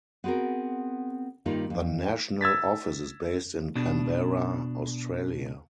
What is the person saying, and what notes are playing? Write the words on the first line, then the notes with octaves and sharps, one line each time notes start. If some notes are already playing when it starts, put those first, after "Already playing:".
The national office is based in Canberra, Australia.
B3 C4 F#4 G#4 A#4
G2 D#3 G3 A#3 D#4 F4
F2
E6 G#6 A6 B6
B2 D4